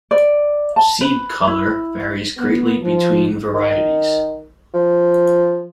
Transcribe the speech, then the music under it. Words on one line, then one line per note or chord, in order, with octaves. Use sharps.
Seed color varies greatly between varieties.
D5
A5
B4
E4
B3
F3
D#3
F3